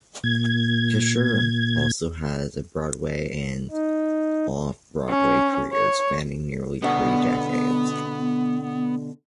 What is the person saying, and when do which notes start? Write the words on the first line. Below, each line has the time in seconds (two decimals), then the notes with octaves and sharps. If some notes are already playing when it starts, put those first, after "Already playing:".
Fisher also has a Broadway and off-Broadway career spanning nearly three decades.
0.24 A#2 G#6
3.71 D#4
5.09 C#4
5.73 C#5
6.82 B2 D3 B3 F#4